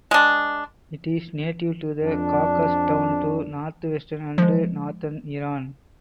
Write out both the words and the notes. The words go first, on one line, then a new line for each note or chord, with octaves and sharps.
It is native to the Caucasus down to north western and northern Iran.
G#3 D4
F2 D4
F3 G#3